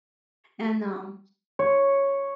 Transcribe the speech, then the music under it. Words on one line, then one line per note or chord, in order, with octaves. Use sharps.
and, um,
C#5